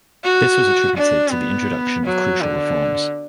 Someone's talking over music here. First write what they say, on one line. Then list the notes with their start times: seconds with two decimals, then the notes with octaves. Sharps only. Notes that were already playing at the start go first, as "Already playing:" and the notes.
This was attributed to the introduction of crucial reforms.
0.24 F#4
0.97 D4
1.32 B3
2.05 F#3
2.41 D3